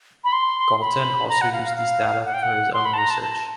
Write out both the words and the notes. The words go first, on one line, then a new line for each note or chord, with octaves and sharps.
Galton also used these data for his own research.
B5
C6
B5
A#5
F#5
F5
F5
F5
F#5
G5
F#5
C6
B5
A5
A#5
A5
A5